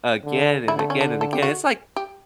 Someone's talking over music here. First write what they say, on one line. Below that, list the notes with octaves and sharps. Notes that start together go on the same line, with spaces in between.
Again and again and again. It's, like,
D3
D3 E4
A3
C#4
D4
A4
G4
F#4
G4